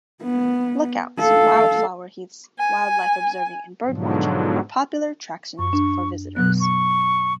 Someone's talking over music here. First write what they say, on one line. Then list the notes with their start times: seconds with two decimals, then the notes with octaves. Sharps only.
Lookouts, wildflower heaths, wildlife observing and birdwatching are popular attractions for visitors.
0.23 B3
1.18 A4 F5
2.60 G#5
3.86 G#2 B2 D3 F3 F#3
5.59 F#2 C#6
5.73 D4
6.36 B2 F#3 B3 F#6
6.60 C#6